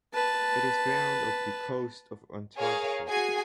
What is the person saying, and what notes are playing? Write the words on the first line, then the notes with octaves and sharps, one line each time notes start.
It is found off the coast of Antarctica.
B4 A5
G#4 A#4 C#5 F5
F#4 G#4 G#5 C7